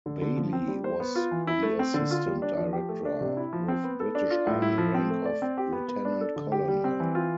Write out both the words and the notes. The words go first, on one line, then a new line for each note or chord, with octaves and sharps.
Bayly was the assistant director, with British army rank of lieutenant colonel.
D3
D3
F3
C4
G3
C5
B3
F4
E3
E4
A3
C4
D3
F4
G3
D4
F3
G4
A3
D4
C3
E4
F3
C4
B3
A4
D4
F4
A2
E4
F3
C4
A3
D5
C4
G4
B3
B3
D4
A4
D3
G4
G3
C4
E3
F4